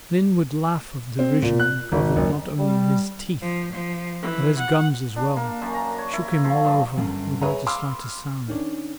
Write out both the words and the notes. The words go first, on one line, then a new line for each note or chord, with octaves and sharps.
An inward laugh of derision uncovered not only his teeth but his gums as well, shook him all over, without the slightest sound.
C4
A#2
F#6
G#1
F#1
G3
F3
F3
E3
F#5
D4
A#3
F#2
A#5
C#5
E4
F3
G2
G1 F#2
G#4 B4 C#5 E5 A#5
F5 B5 C6 D6 E6 F6
D#3 C#4 D4